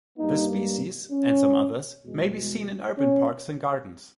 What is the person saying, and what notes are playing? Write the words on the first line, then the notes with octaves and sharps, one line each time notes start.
This species, and some others, may be seen in urban parks and gardens.
G2 G3 A#3 D#4
C#4
E2 B2 G#3
C#4